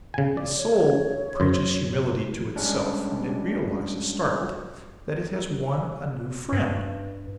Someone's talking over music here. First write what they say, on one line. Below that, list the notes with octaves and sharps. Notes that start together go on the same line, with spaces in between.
The soul preaches humility to itself when it realizes, startled, that it has won a new friend.
C#3 G#5
D5
C#5
F#2 C5
G3 G#3 C#4 D4
G2